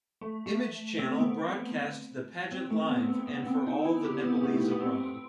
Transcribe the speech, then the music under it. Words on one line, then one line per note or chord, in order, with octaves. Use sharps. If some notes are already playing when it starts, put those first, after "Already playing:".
Image Channel broadcast the pageant live and for all the Nepalese abroad.
A3
A3
C4
B3
C4
A3
B3
C4
B3
B3
C4
D#4
E4
G4
B3
B3
A3
A3
B3
B3
C4